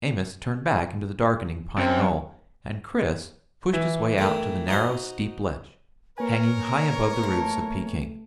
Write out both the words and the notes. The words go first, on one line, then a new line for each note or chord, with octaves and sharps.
Amos turned back into the darkening pine knoll, and Chris pushed his way out to the narrow steep ledge, hanging high above the roofs of Peking.
F#2 C4
E3
D#3 A3
D#4 F#4 C5
A#3 A#4 B4 C#5 G#5
A3